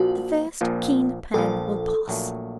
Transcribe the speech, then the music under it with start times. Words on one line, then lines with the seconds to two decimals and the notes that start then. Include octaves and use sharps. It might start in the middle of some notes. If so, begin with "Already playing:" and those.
The first keen pang will pass.
Already playing: A#1 A#2 F3 F#4
0.61 A#1 A#2 F3
1.34 A#1 A#2 F3 A4
2.08 A#1 A#2 F#3 A3